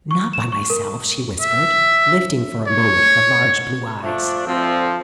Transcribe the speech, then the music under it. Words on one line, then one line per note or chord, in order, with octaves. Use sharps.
"Not by myself," she whispered, lifting for a moment her large blue eyes.
C#6
E7
C#6
A#4
E5
C#5
F3 A3 D4
D2 F3 C4